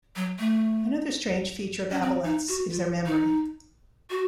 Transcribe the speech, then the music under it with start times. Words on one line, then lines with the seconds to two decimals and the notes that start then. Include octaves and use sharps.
Another strange feature of aboleths is their memory.
0.16 F#3
0.39 A3
1.91 C#4
2.02 C4
2.25 D#4
2.48 F#4
2.71 F4
3.06 D#4
4.10 F#4